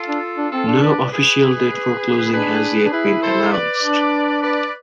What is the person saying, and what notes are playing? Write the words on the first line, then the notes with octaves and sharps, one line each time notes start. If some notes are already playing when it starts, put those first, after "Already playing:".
No official date for closing has yet been announced.
Already playing: F4 A4
D4
D4
C4 F4 A4
D4
B4 D5
G#4 B4
D4 G#4 B4
D4
E4 G#4 B4
A4 C5
B4 D5
D4
B4 D5